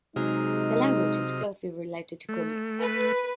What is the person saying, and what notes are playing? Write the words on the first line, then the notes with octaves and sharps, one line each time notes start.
The language is closely related to Kumyk.
C3 F#3 G#3 D#4 G#4 D#5 F6
A3
B4